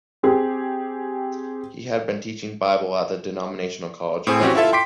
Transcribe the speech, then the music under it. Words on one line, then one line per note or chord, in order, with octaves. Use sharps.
He had been teaching Bible at the denominational college, Bethel.
C4 G4 G#4
A2 C4 G#4
E3 C4 C#4 F#4 G4
E4 F4 A4 E5
G5 C6 D6 B6 D7